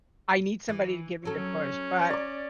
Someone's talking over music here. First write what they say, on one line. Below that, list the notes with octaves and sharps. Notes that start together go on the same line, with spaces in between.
I need somebody to give me the push, but
E3
F#3 C#4 A4
D5 D6